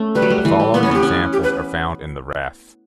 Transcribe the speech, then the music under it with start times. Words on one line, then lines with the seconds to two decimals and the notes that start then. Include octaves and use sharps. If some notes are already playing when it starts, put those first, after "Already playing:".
The following examples are found in the Ref.
Already playing: A3 C#4
0.15 G3 B4
0.22 F#3
0.30 G3
0.45 E3
0.60 G3
0.74 B3 B4
0.83 C#4 C#5
0.91 B3 G4
1.03 C#4
1.33 G4
1.43 B4